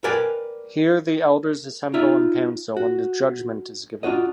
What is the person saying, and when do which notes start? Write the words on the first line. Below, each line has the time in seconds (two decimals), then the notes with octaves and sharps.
Here, the elders assemble in council, and judgment is given.
0.04 A#4 B4 D5 G5 G#5
1.94 D#4 F4 D5 E5
2.77 F#4
4.03 D4 F4 F#4 D#5